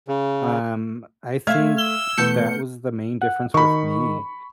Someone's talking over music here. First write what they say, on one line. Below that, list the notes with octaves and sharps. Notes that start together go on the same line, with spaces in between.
Um, I think that was the main difference with me.
C#3
A3 C5 E5 F5 F6 G#6
E6 G7
E2 B2 E3 A3 B3 G6 C#7
F#5
D#3 B5 C#6